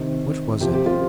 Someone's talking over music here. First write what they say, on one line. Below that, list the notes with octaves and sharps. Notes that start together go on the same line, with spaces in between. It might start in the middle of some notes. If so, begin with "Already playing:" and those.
What was it?...
Already playing: C3 D#3
C3 F3 G4
G4
F4